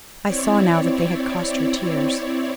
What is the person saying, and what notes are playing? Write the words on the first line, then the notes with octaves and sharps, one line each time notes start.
I saw now that they had cost her tears.
C4 E4 C#5 D5